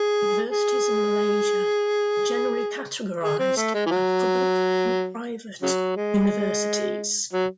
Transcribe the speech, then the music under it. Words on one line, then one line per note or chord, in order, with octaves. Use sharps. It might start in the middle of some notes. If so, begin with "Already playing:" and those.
Universities in Malaysia are generally categorised as public and private universities.
Already playing: G#4
G#4
G#4
C4
A3
G#3
E3
F#3
C#3 F#3
G#3
F#3